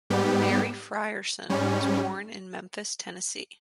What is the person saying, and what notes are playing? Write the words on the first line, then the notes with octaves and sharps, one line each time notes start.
Mary Frierson was born in Memphis, Tennessee.
G#2 G3 B3 G4
G#2 G3 C#4